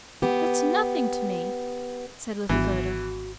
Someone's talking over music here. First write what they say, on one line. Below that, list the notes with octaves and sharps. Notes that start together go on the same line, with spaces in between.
"That's nothing to me," said little Gerda.
B3 G4
G#1 E3 B3 D4 F#4